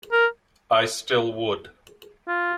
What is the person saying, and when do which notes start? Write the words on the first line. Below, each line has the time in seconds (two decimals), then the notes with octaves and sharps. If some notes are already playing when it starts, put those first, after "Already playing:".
I still would.
0.12 A#4
2.28 F4